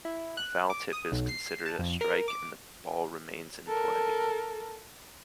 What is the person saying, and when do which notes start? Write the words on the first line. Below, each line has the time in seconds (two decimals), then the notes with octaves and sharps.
A foul tip is considered a strike and the ball remains in play.
0.05 E4
0.37 F#6
0.70 D6
0.93 D#6
1.12 B1
1.29 C7
1.66 A5
1.79 F2
2.01 A#4
2.28 D6
3.68 A4 A#4